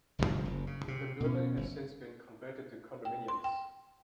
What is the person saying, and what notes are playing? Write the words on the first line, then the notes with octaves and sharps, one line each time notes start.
The building has since been converted to condominiums.
G1 G2 C3 F3
F#1
C#3
C3
B2 C#4
G1
G5
C6
G5